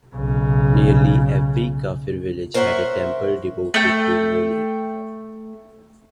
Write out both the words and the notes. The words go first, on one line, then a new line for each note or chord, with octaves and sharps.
Nearly every Kafir village had a temple devoted to Moni.
B1 C#3
A#4 C5 C#5 E5 F#5
A3 G5